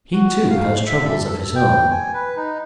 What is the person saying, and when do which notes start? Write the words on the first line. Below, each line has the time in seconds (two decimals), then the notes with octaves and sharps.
He, too, has troubles of his own.
0.13 F#4
0.50 F5
0.86 E5
1.04 A4
1.26 A4
1.55 G5
1.91 G#5
2.14 B4
2.36 D#4